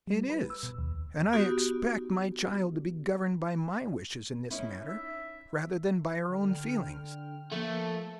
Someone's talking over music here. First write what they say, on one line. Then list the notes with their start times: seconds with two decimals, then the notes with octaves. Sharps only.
"It is; and I expect my child to be governed by my wishes in this matter rather than by her own feelings."
0.07 G3
0.30 B4
0.50 E6
0.63 B2
0.78 D#2
1.33 B3 D#4 F#4 G4
4.50 C#4 D#4 E4
4.88 E5
6.29 D3 G5 F6
7.52 F3 A3 A#3